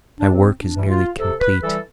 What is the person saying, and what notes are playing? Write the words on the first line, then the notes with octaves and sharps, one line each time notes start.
My work is nearly complete.
D4
C3 C4
D4
E3 G3
F4
C3 A4
B4
E3 G3 A4